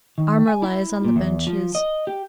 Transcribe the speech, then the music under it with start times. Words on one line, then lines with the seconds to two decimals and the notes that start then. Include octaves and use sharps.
Armor lies on the benches.
0.18 D#3
0.48 G#5
0.62 E4
1.05 A#2
1.16 E2
1.47 F3
1.75 D#5
2.07 G4